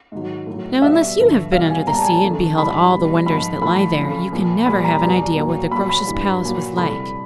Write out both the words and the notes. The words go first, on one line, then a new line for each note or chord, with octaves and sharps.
Now, unless you have been under the sea and beheld all the wonders that lie there, you can never have an idea what the Groac'h's palace was like.
G#2 D#3 F#3
A2 F#3
B2 G3 E5
G2 D3 F3
B2 G3 F5
G#5
A#2 A#5
G3 A5
G#5
A5
F2 D3 F3
G#2 E3 G3 B5
B2 G3
G#2 F3 B5
A2 F3 B5
F2 C#3 F3
A#2 F3
A#2 G3 B5
A#5
E2 B2 G3
A#2 F#3
A#2 F#3 B5
B5
G2 E3 G3
A#2 F#3
F2 C3 E3 G3 B5